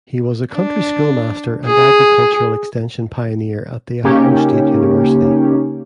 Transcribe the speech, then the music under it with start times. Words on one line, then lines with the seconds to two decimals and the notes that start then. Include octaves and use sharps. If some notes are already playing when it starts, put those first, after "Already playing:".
He was a country schoolmaster and agriculture extension pioneer at The Ohio State University.
0.53 D4
1.66 G#4
4.04 C#3 A#3 C#4 D#4 G4